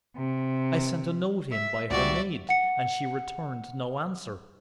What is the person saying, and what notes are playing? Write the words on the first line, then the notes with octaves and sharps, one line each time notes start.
I sent a note in by her maid, and she returned no answer.'
C3
E5
C#2 A#2 G3 F#4 D5 E5
F#5 C#7